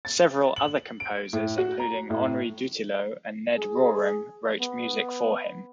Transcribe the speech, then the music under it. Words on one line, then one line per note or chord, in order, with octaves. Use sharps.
Several other composers, including Henri Dutilleux and Ned Rorem, wrote music for him.
A6
F#7
D7
A2
F#4
A#5
A2
G#4
B3